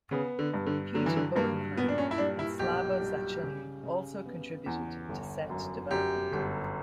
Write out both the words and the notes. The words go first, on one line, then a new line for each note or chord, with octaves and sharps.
Pete Bodenheimer and Slava Zatchuny also contributed to set development.
C#3 B3
D3
G2
D3
D3 F#3
E3
D3
G2 A#3
A#2 B3
D4
C#4
E4
G3 D4
E4
B1 G4
G3
C#3
C#3
B3
E2
G1
F#2
F#2 G4
G1